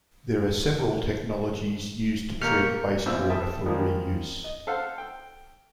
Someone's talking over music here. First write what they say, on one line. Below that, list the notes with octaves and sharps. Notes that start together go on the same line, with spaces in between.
There are several technologies used to treat wastewater for reuse.
B2 A#3 G4 A#4 C#6 F6
A#1 B2 C4 E4 F4 E6
E5 G5 A5 B5 D#6
D#3 F3 G3 G#3 A#3
D#5
A4 C5 F5 F#5 A5
G5